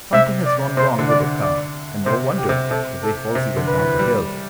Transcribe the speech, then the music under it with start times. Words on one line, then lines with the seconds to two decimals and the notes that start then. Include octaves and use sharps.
"Something has gone wrong with the car, and no wonder--the way Halsey went down the hill."
0.13 C3 E5
0.46 D5
0.77 C3 C5
0.99 D3
1.09 D5
1.20 D3
1.42 D5
2.06 C3 C5
2.38 G4
2.49 C3
2.70 C3 A4
3.03 A4
3.35 C3
3.57 D3
3.68 B4
3.78 E3
3.99 G3